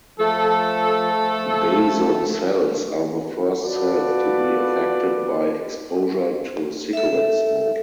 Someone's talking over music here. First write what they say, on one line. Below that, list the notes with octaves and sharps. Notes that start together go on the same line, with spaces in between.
Basal cells are the first cells to be affected by exposure to cigarette smoke.
F3 A3 A4
F4 F#4 A4 B4 D5
A4 E5